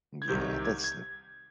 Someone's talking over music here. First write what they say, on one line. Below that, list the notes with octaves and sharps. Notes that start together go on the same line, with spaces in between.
Yeah, that's n
G#6
C2 C3 D#3 G6
G#6
G#6